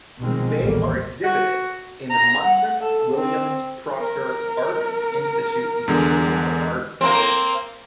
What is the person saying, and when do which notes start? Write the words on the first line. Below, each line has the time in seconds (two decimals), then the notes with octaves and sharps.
They are exhibited in the Munson-Williams-Proctor Arts Institute Museum of Art Building.
0.20 B2 D#3 F3 G#3 C4
0.61 A1 D#2 B2 G3 A#3
1.23 F#4
2.11 A#5
2.45 F#5
2.83 A4
3.15 C4
4.00 A#4
5.88 E2 D3 G#3
7.01 A#3 C4